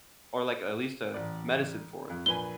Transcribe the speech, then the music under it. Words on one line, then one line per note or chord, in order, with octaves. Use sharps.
Or, like, at least a medicine for it.
A1 D5
F2
A#1 B4 G#5 G7